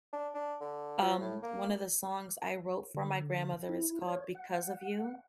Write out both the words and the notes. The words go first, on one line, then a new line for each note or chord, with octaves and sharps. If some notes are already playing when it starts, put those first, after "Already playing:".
um, one of the songs I wrote for my grandmother is called "Because of You"
D4
D4
D3
F3
A2
A#3
D3
E4
C#5
F#5